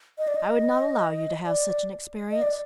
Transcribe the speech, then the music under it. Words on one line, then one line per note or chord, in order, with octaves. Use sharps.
I would not allow you to have such an experience.
D#5
D5
D#5
D5
D#5
D5